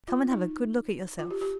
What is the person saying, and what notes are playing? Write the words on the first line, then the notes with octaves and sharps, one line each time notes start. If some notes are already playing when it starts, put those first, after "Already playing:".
"Come and have a good look at yourself."
F4
D#4
F4
G4
G4